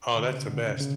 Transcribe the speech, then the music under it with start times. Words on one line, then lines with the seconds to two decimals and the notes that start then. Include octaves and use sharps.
Oh, that's the best.
0.15 B2 D3
0.32 C#3
0.48 B2 D3
0.65 C#3
0.80 C#3